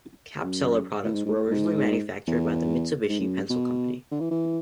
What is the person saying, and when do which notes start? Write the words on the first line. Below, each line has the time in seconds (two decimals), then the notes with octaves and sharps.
Capsela products were originally manufactured by the Mitsubishi Pencil Company.
0.44 F#2
1.04 A2
1.14 G#2
1.26 G#2
1.35 A2
1.51 G#2
2.27 E2
3.09 G#2
3.19 F#2
3.50 B2
4.11 D3
4.20 E3
4.31 E3